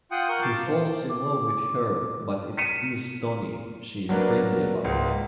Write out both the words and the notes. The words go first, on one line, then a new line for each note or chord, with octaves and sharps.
He falls in love with her but it is Tony she is crazy about.
F4 F#5 G5 D#6
A#4 F#5 C#6 G6
F4 A5 C6 D6
C5
D6
B6 C#7 D#7 E7
F#3 A#3 D4 B4
C#2 G#2